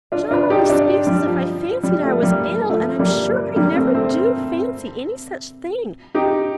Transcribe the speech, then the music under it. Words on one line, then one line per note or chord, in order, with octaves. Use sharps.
'John always speaks as if I fancied I was ill, and I am sure I never do fancy any such thing.
D4 F4
D4 F4
D#4 G4
D4 F4
G3
F3
G3
F3 A3
G3 A#3
F3 A3
G3 A#3
G3 A#3
A3 C4
A3 C4
D#4 G4